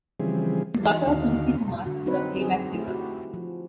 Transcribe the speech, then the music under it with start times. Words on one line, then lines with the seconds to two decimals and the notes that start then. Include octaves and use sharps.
His daughter Tulsi Kumar is a playback singer.
0.20 C#3 E3 F3 G3 C4 G#4
0.83 E3 D#4 F#4
1.07 D#2 D3 D#4 F#4 F5
1.86 D3 F#4
2.06 F#3 C4 D#4 F#4 B4 C#5
2.37 C4 G#4
2.73 A3 E4
2.88 F#4 G4
3.34 F3